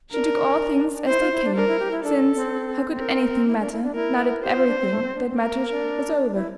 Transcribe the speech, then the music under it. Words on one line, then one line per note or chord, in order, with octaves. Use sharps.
She took all things as they came, since how could anything matter now that everything that mattered was over?
D4 A#4
E4 C5
F4
E4
D4
D4 A#4
E4
G4
E4
D4 A4
C4
A#4
E4
D4
E4
D4
E4 A#4
G4 C5
F4
D4
C4
A3
C4
D4
C4
A#3 A#4
A#3
D4
E4